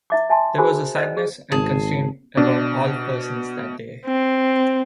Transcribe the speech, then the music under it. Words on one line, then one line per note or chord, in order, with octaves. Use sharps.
There was a sadness and constraint about all persons that day.
E4 E5 D6
E5 G#5 A5 C6
F#4 G#4 A#4 C5 G#5 B5
C5 D5 D#5
G#4
G#1 G#4 A5
B2 D4
C4